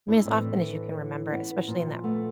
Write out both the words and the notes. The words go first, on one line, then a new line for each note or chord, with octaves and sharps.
mean, as often as you can remember, especially in that
D4 E4
A2 E3 C4 D4
B3 C#4
A#2 F3
A3 B3